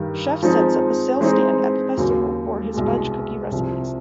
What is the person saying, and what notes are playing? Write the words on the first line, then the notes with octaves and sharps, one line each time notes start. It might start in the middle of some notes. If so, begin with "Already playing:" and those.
Chef sets up a sales stand at the festival for his fudge cookie recipes.
Already playing: G2 D#3 G3
F3 G#3 C4 D#4
E3 G#3 C4 D#4
D#2 C#3 F#3
C2 B2 G#3
C2 C3 F3